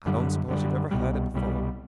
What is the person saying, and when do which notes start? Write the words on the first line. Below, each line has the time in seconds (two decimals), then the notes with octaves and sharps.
"I don't suppose you ever heard it before."
0.06 F#2 D3 G3
0.48 F#2 D3 G3
0.91 C2 B2 G3
1.34 C2 B2 G3